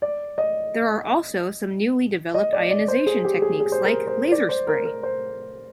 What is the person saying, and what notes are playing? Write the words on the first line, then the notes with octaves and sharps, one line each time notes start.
There are also some newly developed ionization techniques like laser spray.
D5
D#5
D#5
D5
D5
C5
G#4
G4
G#4
G#4
C5
A#4
C5
D5
C5
A#4
A#4
C5